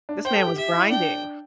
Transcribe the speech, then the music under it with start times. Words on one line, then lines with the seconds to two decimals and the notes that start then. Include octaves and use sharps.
This man was grinding.
0.09 D4
0.24 C5 G5
0.35 A4
0.47 G4
0.57 G4 E5
0.73 E4
0.90 D4 G5